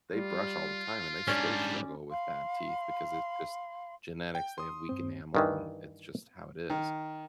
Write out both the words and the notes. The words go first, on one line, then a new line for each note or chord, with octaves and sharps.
they brush all the time and they still struggle with bad teeth because it's just genetics. They have weak enamel and it's just how it is,
G3 F4
G#2 G3 C#4 D4 D5
F5 B5 C6
G5
C6 D#6
G2 C4
G2 D#3 E3
D#3